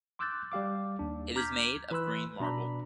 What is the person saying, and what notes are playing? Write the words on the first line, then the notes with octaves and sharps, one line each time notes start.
It is made of green marble.
C6 D6 E6 F#6 G6 A6
G3 G4 F5 D6
D#2 D4
A#5 D6 F6 G6 G#6 B6
E3 B4 B5 C6 E6 F#6
B2 D4 A#5 B5